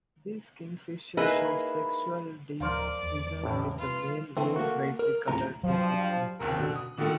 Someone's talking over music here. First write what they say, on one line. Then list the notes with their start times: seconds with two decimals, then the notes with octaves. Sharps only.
This kingfisher shows sexual dimorphism, with the male more brightly coloured than the female.
1.17 A#3 D#4 E4 G#4 B4
2.60 D1 F3 A#4 C5 D5 F5
3.03 E2
3.44 A1 A2
3.78 F4 B4
4.37 D3 E3 A3 C4
4.56 A3 A#3 F#4
4.99 A#4
5.28 D2 A2 C#3 F3 A#5
5.64 G2 F3 F#3
6.39 F#1 D#2 C3 A#4
6.58 B2 D3
6.76 D#6
6.97 A#2 D3 D#3 G3 A3